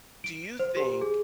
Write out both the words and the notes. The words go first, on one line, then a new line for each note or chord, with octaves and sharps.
do you think
D7
C5
G4
G#4